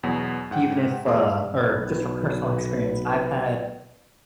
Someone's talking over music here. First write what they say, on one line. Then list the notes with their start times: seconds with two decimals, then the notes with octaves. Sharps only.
even if, uh or just from personal experience, I've had,
0.03 E2 B2 F#3 B3
0.51 G#2 F#5 G5
1.06 E2 G#3 A#3 C6 D6 D#6
1.55 B1 B4